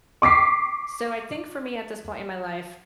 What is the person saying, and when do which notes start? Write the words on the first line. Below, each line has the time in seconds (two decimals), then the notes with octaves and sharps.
So, I think for me at this point in my life,
0.22 C#6 D6 B6 C7